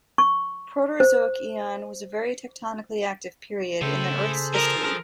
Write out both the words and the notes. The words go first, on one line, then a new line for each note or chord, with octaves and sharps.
The Proterozoic Eon was a very tectonically active period in the Earth's history.
C#6
C5
A2 C#3 E4 A4 C5 G5
G#4 A4 C5
F3 A#4